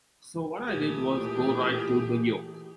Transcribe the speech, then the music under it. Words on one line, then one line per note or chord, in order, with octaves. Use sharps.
So what I did was go right to the 'yoke'.
A#2 E3 A3 G4 G#4